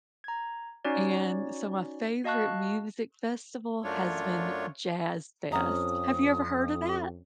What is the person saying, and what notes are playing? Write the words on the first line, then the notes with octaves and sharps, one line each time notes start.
and so my favorite music festival has been Jazz Fest. Have you ever heard of that?
A#5 G#6
C#4 D#4 F#4 C#5 D5
F#4 D#5 F5 A5 C#6 F#6
F#2 A3 D4 F4 C#5
F2 C#4 A#5 D#6